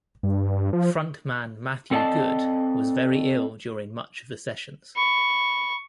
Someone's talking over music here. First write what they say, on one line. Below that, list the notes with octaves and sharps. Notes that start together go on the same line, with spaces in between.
Front-man Matthew Good was very ill during much of the sessions.
G2
F3
C4 A4 D5 D#5 A5
B5 C#6